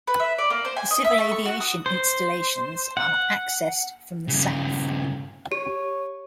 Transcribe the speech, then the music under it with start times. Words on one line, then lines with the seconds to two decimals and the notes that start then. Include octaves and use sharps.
The civil aviation installations are accessed from the south.
0.07 B4
0.20 E5
0.38 D5
0.50 A#3
0.65 C5
0.76 G#5
0.91 D#5
1.04 E5
1.18 A3
1.31 C#6
1.45 F#4
1.60 D#6
1.86 C5
2.97 F#5
4.28 G2 C#3
5.52 G4 C#5